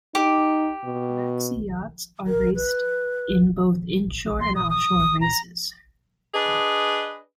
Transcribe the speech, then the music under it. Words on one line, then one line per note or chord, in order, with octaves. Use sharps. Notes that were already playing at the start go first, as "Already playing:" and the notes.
Maxi yachts are raced in both inshore and offshore races.
D#4 G4 D6
B2
A#4
B4
C6
D#6
D#6
A#5
D4 G#4 B4 D#5